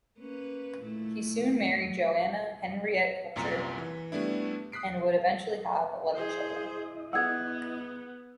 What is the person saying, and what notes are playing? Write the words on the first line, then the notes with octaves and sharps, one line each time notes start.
He soon married Johanna Henriette Kuchler and would eventually have eleven children.
A#3 C#4 B4
A#2 A3 E4
F#3
C2 F#2 A#2 A#5 B6 C#7
E3
G3 A3 B3 D4 E4
D#6 F#6 B6 C7 D7
E4 G#4 C5 D#5
B3 G#4 F#5 E6 G#6